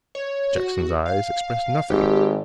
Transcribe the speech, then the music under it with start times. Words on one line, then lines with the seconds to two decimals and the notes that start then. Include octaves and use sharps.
Jackson's eyes expressed nothing.
0.15 C#5
0.55 F#4
1.06 F5
1.90 G#1 G4